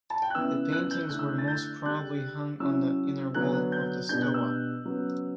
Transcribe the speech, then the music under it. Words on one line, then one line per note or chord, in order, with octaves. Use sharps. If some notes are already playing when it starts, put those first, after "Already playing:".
The paintings were most probably hung on the inner wall of the stoa.
A5
G5
F#6
C#3 E3 B3 E6
F#6
G6
D3 A3 E4 F#6
E6
F#6
A6
G6
D3 G3 D4 F#6
C#3 F#3 C#4 E4 E6
D3 F#3 B3 D4 F#6
F#6
G6
B2 G3 B3 D4 G6
F#6
E6
C#3 F#3 B3